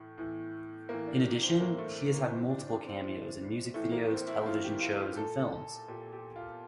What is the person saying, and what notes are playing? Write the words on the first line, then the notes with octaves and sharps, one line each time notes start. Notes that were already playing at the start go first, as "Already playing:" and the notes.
In addition, he has had multiple cameos in music videos, television shows, and films.
Already playing: A2 E3 A3
A2 E3
A2 E3 A#3
D4
D4
C4
A2 E3 A#3
A3
A#3
A2 E3 C4
D4
D4
C4
A2 E3
A2 E3 A3
A#3
C4
E4
A2 E3 F4
G4
F4
F4
A#2 A4
A#2 G4
G4
F4